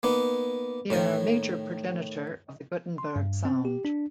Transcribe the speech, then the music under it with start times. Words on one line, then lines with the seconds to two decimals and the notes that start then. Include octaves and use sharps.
They are a major progenitor of the Gothenburg sound.
0.03 A#3 B3 D#4
0.90 A2 D#3 A#4
2.98 C6
3.16 G2
3.45 C4
3.65 G4
3.85 D4